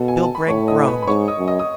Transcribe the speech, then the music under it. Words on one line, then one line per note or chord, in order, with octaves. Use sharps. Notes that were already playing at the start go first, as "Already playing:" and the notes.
Bill Gregg groaned.
Already playing: B2 A4
G#5
A5
B5
A2 C#5 C#6
D#5 D#6
B4 B5
B5
G#2 C#5 C#6
D#5 D#6
F#2
D#5 D#6
D#6